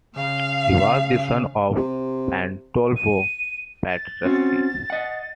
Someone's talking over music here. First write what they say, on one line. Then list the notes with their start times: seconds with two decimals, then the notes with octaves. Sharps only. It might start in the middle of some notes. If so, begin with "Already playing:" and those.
He was the son of Pandolfo Petrucci.
0.16 C#3 F5
1.76 C3
2.96 D#7
3.88 A6
4.25 C4 C#4 F#4
4.90 D#5 F#5